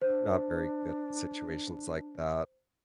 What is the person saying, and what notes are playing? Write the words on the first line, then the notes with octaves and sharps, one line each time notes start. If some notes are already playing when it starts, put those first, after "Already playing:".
not very good at situations like that
D4 C5